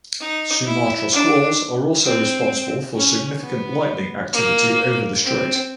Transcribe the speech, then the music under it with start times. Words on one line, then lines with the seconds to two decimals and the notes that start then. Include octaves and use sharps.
Sumatra squalls are also responsible for significant lightning activity over the strait.
0.21 D#4
0.66 E4
1.12 D4
2.04 C4
2.96 C#4
3.42 B3
4.33 A#3
5.25 C4